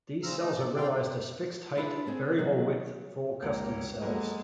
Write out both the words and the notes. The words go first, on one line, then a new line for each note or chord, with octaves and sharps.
These cells are realized as fixed-height, variable-width full-custom cells.
A#2 C#3 C4 A#5 E6 F6
A3 D#4
F#3 D5
D#3 G3 C4 D5 F5 G5
D4 E4 F4 G4 G#4 B4
B3 C4 G#4
D#3 F#3 G3
C#2 A#3 C#5
F#3 G#3 A#3 B3 A4